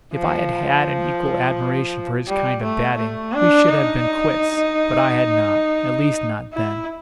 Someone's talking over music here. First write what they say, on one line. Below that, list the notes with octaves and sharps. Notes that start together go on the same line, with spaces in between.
If I had had an equal admiration for his kind of batting we should have been quits, but I had not; at least not then.
F3
G3
A3
A3
D4
D#4
E4